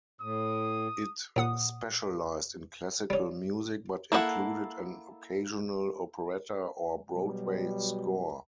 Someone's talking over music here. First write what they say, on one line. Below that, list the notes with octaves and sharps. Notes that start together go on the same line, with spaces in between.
It specialised in classical music, but included an occasional operetta or Broadway score.
A2 D#6
D#2 A#2 F#5 D#6
G3 C#4
A#3 E4 A4 D#5 F#5
B2 F#3 G3